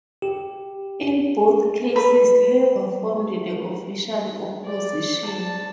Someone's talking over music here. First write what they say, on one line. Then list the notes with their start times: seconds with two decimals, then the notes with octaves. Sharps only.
In both cases, Labour formed the official opposition.
0.22 G4
1.96 B4
4.65 D5
5.25 A5